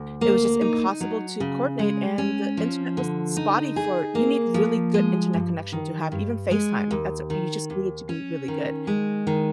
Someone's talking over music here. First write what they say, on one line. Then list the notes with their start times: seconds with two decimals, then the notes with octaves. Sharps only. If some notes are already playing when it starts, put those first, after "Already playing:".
it was just impossible to coordinate, and the internet was spotty for you need really good internet connection to have, even FaceTime, that's a you just need it to be really good.
Already playing: D2
0.21 A#3
0.61 D#4
1.00 F#3
1.40 C#3
1.79 G#3
2.18 C#4
2.57 F3
2.97 D3
3.37 D#4
3.76 G#4
4.15 A#3
4.54 F3
4.94 G#3
5.33 G2
5.72 D#3
6.12 G2
6.51 G#3
6.91 D#2
7.30 D#3
7.70 D#2
8.09 C#4
8.48 D#3
8.87 G#3
9.27 D#3